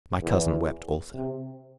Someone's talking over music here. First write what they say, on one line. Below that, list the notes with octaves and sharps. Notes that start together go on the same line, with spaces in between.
My cousin wept also.
E2
C3